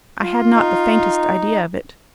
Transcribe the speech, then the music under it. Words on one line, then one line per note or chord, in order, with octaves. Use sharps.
"I had not the faintest idea of it."
F4
D#4